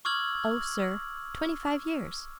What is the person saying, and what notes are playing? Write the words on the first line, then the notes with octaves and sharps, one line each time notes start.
"Oh, sir, twenty-five years."
C#6 D6 E6 F6 G#6 F#7